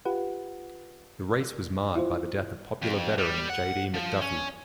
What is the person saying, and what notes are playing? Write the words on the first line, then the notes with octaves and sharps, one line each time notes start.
The race was marred by the death of popular veteran J. D. McDuffie.
F4 G4 B4 F#5
E4 F4 C5
F2
G3
F#5
F3
C#4